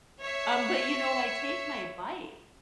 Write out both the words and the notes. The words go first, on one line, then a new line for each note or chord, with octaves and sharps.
Um, but you know, I take my bike
C#5 E5